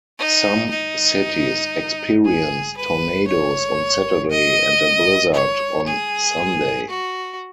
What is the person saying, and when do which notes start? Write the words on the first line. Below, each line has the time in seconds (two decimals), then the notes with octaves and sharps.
Some cities experienced tornadoes on Saturday and a blizzard on Sunday.
0.18 D#4
0.70 D#4
2.25 G#4
2.77 B4
3.28 C#5
4.31 D#5
5.34 C#5
5.87 G#4
6.89 F#4